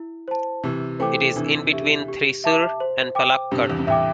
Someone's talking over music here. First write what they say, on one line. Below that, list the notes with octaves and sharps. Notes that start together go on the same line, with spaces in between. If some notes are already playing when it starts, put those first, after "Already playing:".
It is in between Thrissur and Palakkad.
Already playing: E4
C5 A5
C3 E3 G4
E3 A3 C5 G5 D6
C3 E3 D4
G4 E5
G4
E5 A5 D6
C5
G5 D6
G2 C3 G4
E2
G2
E2 A2 E5 G5 D6